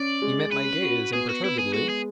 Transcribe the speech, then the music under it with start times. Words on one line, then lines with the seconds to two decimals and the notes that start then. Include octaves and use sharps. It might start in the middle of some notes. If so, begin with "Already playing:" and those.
He met my gaze imperturbably.
Already playing: C#4 D5
0.22 G#3
0.52 C#4 B4
0.82 F#4
1.13 B3 G#4
1.29 F#4
1.44 B3 E4
1.59 G#4
1.73 G#3 F#4
1.89 G#4